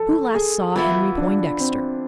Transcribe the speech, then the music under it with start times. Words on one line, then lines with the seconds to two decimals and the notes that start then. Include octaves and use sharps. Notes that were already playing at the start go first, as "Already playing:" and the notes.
Who last saw Henry Poindexter?
Already playing: F3 A4
0.34 G#4
0.76 E3 B3 E4 F4
1.17 D4
1.60 C4